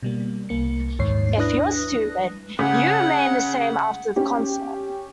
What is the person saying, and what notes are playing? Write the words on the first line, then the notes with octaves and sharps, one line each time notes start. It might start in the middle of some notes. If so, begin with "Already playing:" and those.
If you're stupid, you remain the same after the concert.
B2 G3 A#3
C2 A#3 C#7
A#1 D#2 G#2 C#5 C7
D4 E4 B4 D#6 F#6 A#6
C#3 F#5
C#4 G4